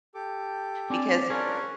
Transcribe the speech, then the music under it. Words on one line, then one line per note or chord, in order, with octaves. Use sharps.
because he
G4 A4 D6
C4 D4 D5 G#5
C#4 D4 F4 G#4 A#4 D5